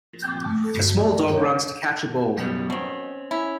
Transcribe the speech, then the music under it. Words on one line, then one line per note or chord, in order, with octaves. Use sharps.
A small dog runs to catch a ball.
C4
A3
A4
F#4
D5
A#4
C#5
F#2 B2 G3
B2 D#3 C4 C#4
C#4 E4